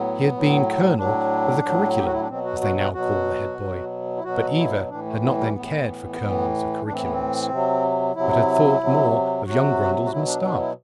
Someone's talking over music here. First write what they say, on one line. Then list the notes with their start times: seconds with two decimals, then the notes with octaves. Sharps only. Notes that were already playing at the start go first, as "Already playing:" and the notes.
He had been Colonel of the Curriculum, as they now call the head boy; but Eva had not then cared for Colonels of Curriculums, but had thought more of young Grundle's moustache.
Already playing: A2 F#3 B3
0.32 A2 F#3
0.97 A2 F#3 D4
1.63 A2 F#3
1.96 G4
2.05 F#4
2.12 E4
2.20 D4
2.28 B2 F#3 C4
2.44 F#4
2.61 F#4
2.77 F#4
2.94 B2 F#3 F#4
3.58 B2 F#3
4.17 E4
4.24 B2 F#3 F#4
4.57 E4
4.89 A2 E3 D4
5.05 A3
5.22 B3
5.38 G3
5.54 A2 E3 B3
6.20 A2 E3
6.85 A2 E3 D4
6.93 C4
7.02 B3
7.10 C4
7.50 C3 F#3
8.15 C3 F#3 E4
8.80 C3 F#3
9.46 C3 F#3 F#4
10.05 F#4
10.11 B2 F#3 E4
10.27 D4
10.43 D4
10.59 E4